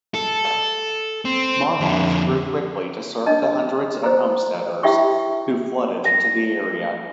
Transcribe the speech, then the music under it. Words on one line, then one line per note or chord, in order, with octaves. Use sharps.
Marmarth grew quickly to serve the hundreds of homesteaders who flooded into the area.
A4
C4
F2 D3
D4 D#5 A5
C5 A#5
E4 G4 E5 G5 B5 C#6
A#6